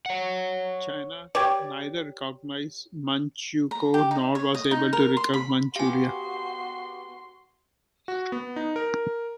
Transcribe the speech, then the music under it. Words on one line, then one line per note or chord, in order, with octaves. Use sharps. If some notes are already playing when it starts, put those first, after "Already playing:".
China neither recognized Manchukuo nor was able to recover Manchuria.
C#5 F#5
G4 C#5 D5
A#5
G4
D#4
C#5
D#5
D#4
A#4
C6
B5
B3 F#4 G4 F5 G#5 C6
F#4
B3
D#4
A#4